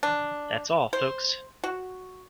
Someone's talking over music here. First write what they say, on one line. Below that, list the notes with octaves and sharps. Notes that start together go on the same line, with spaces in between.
That's all Folks!
D4
C5
F#4